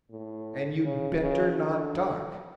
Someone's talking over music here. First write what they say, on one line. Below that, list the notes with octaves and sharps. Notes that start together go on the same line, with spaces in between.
And you'd better not talk.
A2
C#3
C#3
D3